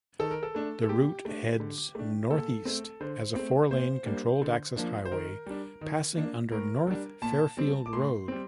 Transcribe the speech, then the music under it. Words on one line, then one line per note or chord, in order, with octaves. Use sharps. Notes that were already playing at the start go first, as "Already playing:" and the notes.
The route heads northeast as a four-lane controlled-access highway, passing under North Fairfield Road.
D#3 A4
A#4
A4
A3 D4
A4
A#2 G4
A3 D4
D3
A3 D4
A#2 A4
A3 C4
D3 C5
A3 C4
A#2 C5
G3 A#3 D4
D3
F3 A#3 D4
C5
D#3 A#4
G3 D4
D#3
A#3 D4
A2 A#4
G3 D4
A#2 A5
G3 C4
D6
A2 C6
G3 C4